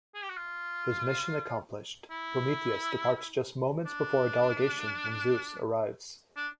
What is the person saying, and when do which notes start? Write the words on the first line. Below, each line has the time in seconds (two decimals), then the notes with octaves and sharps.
His mission accomplished, Prometheus departs just moments before a delegation from Zeus arrives.
0.15 G#4
0.23 G4
0.29 F#4
0.37 F4
2.11 E4
3.86 D4
6.36 D4